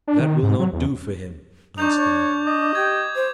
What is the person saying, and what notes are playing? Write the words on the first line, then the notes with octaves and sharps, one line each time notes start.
"That will not do for him," answered the monk.
D4
D#3
G#2
F#3
E2
D4 D#4 C#6 G6 F7
C#5 G6
D#5 D6
G4 G#6
C5